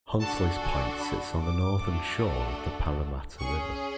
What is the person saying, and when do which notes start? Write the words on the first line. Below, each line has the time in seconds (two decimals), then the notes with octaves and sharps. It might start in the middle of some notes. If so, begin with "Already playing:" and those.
Huntleys Point sits on the northern shore of the Parramatta River.
0.21 D4 F#4 A4 A5
0.61 G#5
1.01 B5
1.40 D6
1.79 A3 D4 F#4 A4
3.38 C#4 G#4 C#6